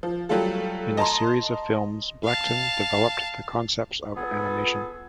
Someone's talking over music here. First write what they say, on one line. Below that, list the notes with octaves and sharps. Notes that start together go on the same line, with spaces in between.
In a series of films, Blackton developed the concepts of animation.
F3
F#3 G3 A3 F4 A4
D#5 A5 A#5 C6
F5 A5
B3 F4 G#4 A4